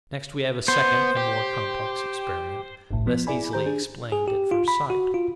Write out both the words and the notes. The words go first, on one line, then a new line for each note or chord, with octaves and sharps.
Next we have a second and more complex experiment, less easily explained at first sight.
B3 C5
G4
G1 C2 A2
F3 B3
E4 G#4 D5 G#5 B5
D#3 G4 C5 A#5 G6
D4 G#4
G#4
G4
F4
B5
F#4
F4